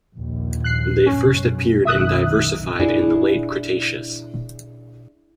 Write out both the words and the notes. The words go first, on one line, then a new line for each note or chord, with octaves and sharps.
They first appeared and diversified in the Late Cretaceous.
A#1 D#2
F#6 C7
F#2 B2 C#4
F#1 B1 D#3 E5 D#6 F#6
D4 E4 G#4